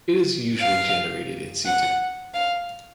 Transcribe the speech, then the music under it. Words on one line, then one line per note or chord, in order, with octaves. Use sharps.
It is usually generated in situ.
F5
F#5
F5